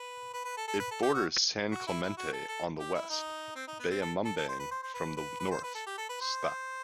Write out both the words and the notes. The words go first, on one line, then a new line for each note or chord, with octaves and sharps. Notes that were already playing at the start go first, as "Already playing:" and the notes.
It borders San Clemente on the west, Bayambang from the north, Sta.
Already playing: B4
B4
B4
A4
A4
B4
A4
G4
F#4
F#4
E4
E4
F#4
A4
A4
G4
E4
D#4
C4
D#4
B3
C4
A4
A4
A4
C5
B4
C5
C5
B4
B4
B4
C5
B4
A4
G4
A4
B4
C5